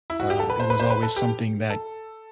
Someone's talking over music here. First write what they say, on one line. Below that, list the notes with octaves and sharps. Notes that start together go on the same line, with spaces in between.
uh, it was always something that
E4
F#4
G4
A4
B4
C5
B4
C5
B4
A4
G4
A4